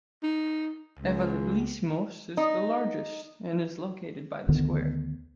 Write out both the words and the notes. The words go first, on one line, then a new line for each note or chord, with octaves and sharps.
"Evagelismos" is the largest and is located by the square.
D#4
C#2
D#4
D2 D3 D#3 B3